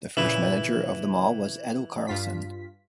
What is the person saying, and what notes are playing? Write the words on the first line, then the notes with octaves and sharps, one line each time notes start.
The first manager of the mall was Eddo Carlson.
A#2 C#3 E3 E4
G2 F4 B6